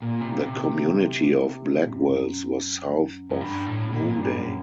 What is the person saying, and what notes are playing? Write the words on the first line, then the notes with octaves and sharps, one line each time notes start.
The community of Blackwells was south of Noonday.
A#2
C3
C3
F#2
F#2
G2
A2
A#2
G2
F#2